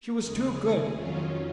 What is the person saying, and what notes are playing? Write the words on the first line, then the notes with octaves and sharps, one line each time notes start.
She was too good!
D#2 C#3 G#3 G#4
F2 D#3 F#3 C#4 F4